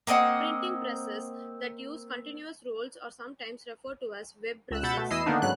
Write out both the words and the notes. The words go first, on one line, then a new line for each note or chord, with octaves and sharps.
Printing presses that use continuous rolls are sometimes referred to as "web presses".
A#3 C4 D#5 F#5
C#2 E6 F#6
B2 F#5 B5 E6 G6 A6
B2 A3
E2 E4 D#5 E6 C7 D#7
D3 D#3 A#3 B3 D4 D#4
G#2 C#3 F#3 B3 F#6